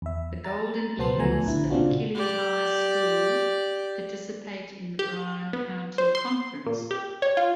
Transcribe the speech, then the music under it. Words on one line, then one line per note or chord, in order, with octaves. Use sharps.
The Golden Eagles of Achille High School participate in the Bryan County Conference.
E2 E5
A#5 A6
C#2 B2 B3 C5 A5 C6
D2 F3 A3 B3 G#5 A#5
A#1 D3 E4
A#2 C#3 C4 D4 F4 F#4
G4 D5
G4
B3
C5
C6
A#2
G4
C#5
F4